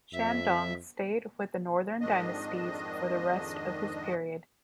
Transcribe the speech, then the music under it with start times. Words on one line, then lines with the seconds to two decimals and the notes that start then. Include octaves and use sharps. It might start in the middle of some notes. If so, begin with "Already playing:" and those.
Shandong stayed with the Northern Dynasties for the rest of this period.
0.13 F2 E5
2.01 F2 G#2 D#3 D4 D#5